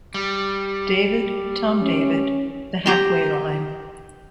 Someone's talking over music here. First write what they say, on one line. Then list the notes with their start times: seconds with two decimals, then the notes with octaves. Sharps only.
David, Tom David, the half-way line.
0.14 G3
1.82 C#4
2.86 G4 A#5 C6